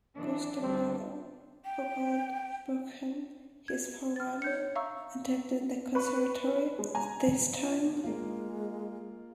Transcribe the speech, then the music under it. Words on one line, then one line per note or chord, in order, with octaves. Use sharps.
Gustav Mahler, who called Bruckner his "forerunner", attended the conservatory at this time.
E3 D4
D2 G3 C4 D4
G5
G#6
F6 A6
C#5 G6 C#7
E5 F5 A#5 C#6 E6
B4 C#6
G#3
G#5 A#5
B3
G#3 A#3 F4